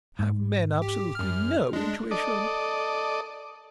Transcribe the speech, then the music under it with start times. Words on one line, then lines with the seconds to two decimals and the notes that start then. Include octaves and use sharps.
Have men absolutely NO intuition?
0.19 G#2
0.82 G4
1.15 F#2 F6
1.73 G#3 D4
2.11 A4 D5 D#5